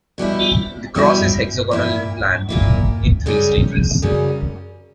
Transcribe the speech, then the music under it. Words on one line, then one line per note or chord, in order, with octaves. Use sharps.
The cross is hexagonal in plan, in three stages.
B2 G3 C#4 E4
B2 G3 C#4 E4
A#2 A#3 E4
A#2 A#3 E4
F#2 C#3 G3 C#4
F#2 C#3 G3 C#4